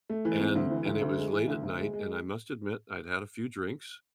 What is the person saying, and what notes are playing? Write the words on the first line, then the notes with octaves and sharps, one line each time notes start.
and and it was late at night, and I must admit, I'd had a few drinks,
A3
E3
C4
D2
E3
D2
D2
G#3
E3
D2
D2
G#3
G#3